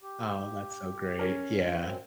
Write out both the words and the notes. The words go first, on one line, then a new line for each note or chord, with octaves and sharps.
Oh, that's so great. Yeah.
G4
C#4 A#4
F#2 C4